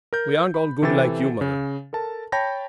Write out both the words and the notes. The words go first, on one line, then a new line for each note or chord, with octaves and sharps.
We aren't all good like you, mother.
A#4 G6
B5
C3 E3 A4 G5 A6
C#3
A4 A#4 A5
C#5 G5 A5 B5 G6 A#6